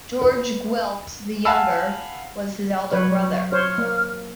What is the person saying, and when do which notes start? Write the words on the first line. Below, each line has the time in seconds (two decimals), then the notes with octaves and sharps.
George Gwilt the Younger, was his elder brother.
0.21 B4
1.45 F5 F#5 G#5 A5 B5 E6
2.92 F#3 B4 C#5 C#6
3.52 C5 C#5 F6
3.78 A#3